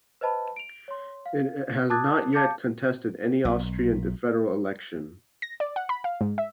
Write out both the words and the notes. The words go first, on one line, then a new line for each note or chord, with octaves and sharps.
It has not yet contested any Austrian federal election.
B4 C5 D#5 A5 B5
D7 F7
C#5 C6
F5
A5 D6 D#6 F#6 G#6 A6
F5 A5 D6 G6 A6 C#7
B1
A#6
D5
F#5
B5
F5
G#2
E5